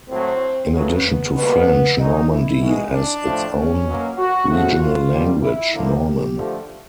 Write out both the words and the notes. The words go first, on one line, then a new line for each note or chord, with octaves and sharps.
In addition to French, Normandy has its own regional language, Norman.
A2 F#3 A3 C4
C#3 F#3 A3 B3
B2 G3 A#3 B3
A#2 F#3 A#3 D#4
E4
B2 G#3
D4
A2 F3 A3
C#4
B2 F#3 A#3
F#4
C#3 F3 A3 F#4
F4
B2 G3 A#3
E4
D3 F3 A#3
G4
D3 F3 A3